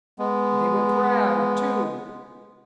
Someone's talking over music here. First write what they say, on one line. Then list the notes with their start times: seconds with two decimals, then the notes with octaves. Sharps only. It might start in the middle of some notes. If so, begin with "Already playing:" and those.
And they were proud, too.
0.19 G#3 B3